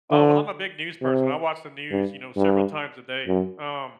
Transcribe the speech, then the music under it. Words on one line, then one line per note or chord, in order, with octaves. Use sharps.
Oh, well, I'm a big news person. I watch the news, you know, several times a day. Um,
D3
C3
G2
G2
F#2